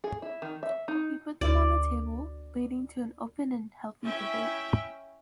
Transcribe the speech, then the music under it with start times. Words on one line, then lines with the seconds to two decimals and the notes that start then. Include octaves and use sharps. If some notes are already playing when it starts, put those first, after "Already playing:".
He put them on the table, leading to an open and healthy debate.
0.04 G#4
0.22 E4
0.42 D#3
0.63 E5
0.88 D#4
1.41 D2 D5
4.04 C#4 E4 E5 G5